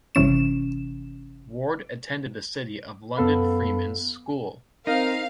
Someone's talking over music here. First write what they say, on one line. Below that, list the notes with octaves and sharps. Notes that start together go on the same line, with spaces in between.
Ward attended the City of London Freemen's School.
G1 C3 E3 C#4 E7
F#2 B3 A4 F5 B5
C4 D#4 A#4 F5